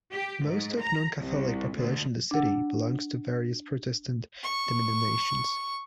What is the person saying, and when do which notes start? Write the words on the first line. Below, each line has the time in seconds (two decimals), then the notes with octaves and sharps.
Most of non-Catholic population in the city belongs to various Protestant denominations.
0.12 G4
0.46 G#2
0.81 A#5
1.19 C2
1.76 D2
2.31 D4 F#5
4.43 C#6